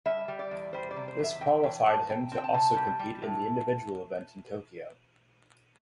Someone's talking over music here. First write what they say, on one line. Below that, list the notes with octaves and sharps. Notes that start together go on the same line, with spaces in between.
This qualified him to also compete in the individual event in Tokyo.
G3 E5
G3
D5
E2
G3 C5
D5
C3
C5
E2
E5
E2 G5
E2 G5
E2 A5
C3 G5
C4
G5
A5
C3
G3
G3
A2